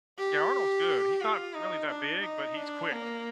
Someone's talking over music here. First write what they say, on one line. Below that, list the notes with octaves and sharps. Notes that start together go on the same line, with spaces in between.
Yeah, Arnold's good. He's not really that big, but he's quick.
G4
F4
D#4
D4
D#4
D4
A#3